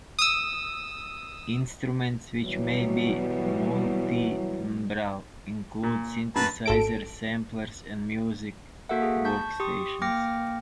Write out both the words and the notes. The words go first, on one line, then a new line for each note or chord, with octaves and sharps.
Instruments which may be multitimbral include synthesizers, samplers, and music workstations.
D#6 E6
B2 E3 F#3 G3
A#2
F#2 B4 A5
G#1 A4 D7
A#3 F#4 A4 A#4 E5 F#5
G#4
A5 C#6 G6 B6
G4 C6 C#6 D#6
A#3 G5 D6 F6 A#6 C#7